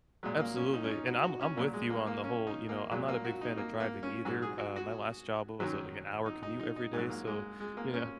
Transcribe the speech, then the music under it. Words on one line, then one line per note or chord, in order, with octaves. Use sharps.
Absolutely, and I'm I'm with you on the whole you know, I'm not a big fan of driving either. Uh, my last job was, uh, like, an hour commute every day, so, you know
A#2 F#3 G#3
A#3
C#4
D#4
C#4
D#4
F#4
F#4
C#4
A#2 F#3 A#3
G#3
A#3
A#3
C#4
D#4
A#3
A#2 F#3 G#3
A#3
F#4
D#4
A#3
A#3
C#4
G#2 F#3 F#4
G#4
F#4
F#4
F#2 D#3 F#3
D#4
D#4
D#4
D#4
G#2 F#3 D#4
A#3
G#3
G#3
A#3
C#4